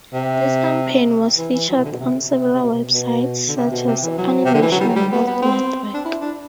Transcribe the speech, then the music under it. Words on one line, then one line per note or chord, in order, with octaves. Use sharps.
This campaign was featured on several websites such as Animation World Network.
C3
E3
E3
F#3
C3
D3
B2
C3
C3
C3
B2
B2
D3
C3
B2
C3
E3
F#3
C3
D3
E3
F#3
G3
F#3
G3
B3
B3
C4
D4
E4
D4